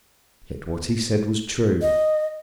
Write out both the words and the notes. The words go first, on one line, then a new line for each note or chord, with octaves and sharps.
Yet what he said was true.
D#5